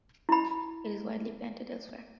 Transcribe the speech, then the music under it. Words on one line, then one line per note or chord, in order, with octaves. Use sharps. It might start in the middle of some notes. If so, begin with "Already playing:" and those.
It is widely planted elsewhere.
E4 B5